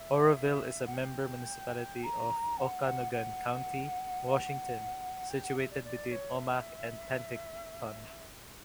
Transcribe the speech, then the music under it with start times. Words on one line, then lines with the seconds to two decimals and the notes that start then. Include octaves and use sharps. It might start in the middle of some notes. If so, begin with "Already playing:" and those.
Oroville is a member municipality of Okanogan County, Washington, situated between Omak and Penticton.
Already playing: E5
0.86 F#5
0.93 G5
2.03 A#5
2.58 F#5
2.84 F#5
3.12 F#5
5.29 G5
5.43 F#5
5.56 E5
5.70 D5
5.84 D5
6.11 C#5
6.38 E5